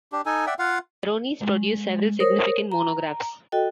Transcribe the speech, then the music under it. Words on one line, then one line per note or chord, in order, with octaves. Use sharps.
Veronese produced several significant monographs.
D4 G4
D#4 A4 G#5
D5 E5 F#5 G5
F4 F5 F#5
G#3
A#4 C5 C#5 D#6
A#5
F#4 A4 D#5 G5